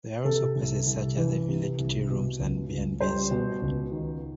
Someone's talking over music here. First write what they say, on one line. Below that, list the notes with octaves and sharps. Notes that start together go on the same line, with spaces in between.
There are also places such as the Village Tea rooms and B and Bs.
C3 A4
C2
C2
E3
C3
C2
B2
C#2
C#2
G3 C5
B2
C#2
D#3